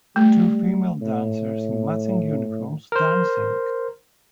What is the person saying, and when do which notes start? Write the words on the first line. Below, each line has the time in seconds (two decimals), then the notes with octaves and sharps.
Two female dancers in matching uniforms dancing.
0.16 G3 A3
1.01 A2
2.92 A#4 C5